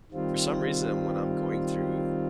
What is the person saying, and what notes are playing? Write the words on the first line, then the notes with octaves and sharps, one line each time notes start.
for some reason, when I'm going through
D#3 G3 C4 F4